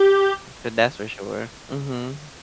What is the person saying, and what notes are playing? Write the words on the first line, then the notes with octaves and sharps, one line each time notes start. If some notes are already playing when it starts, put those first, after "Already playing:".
So that's for sure. Mhm.
Already playing: G4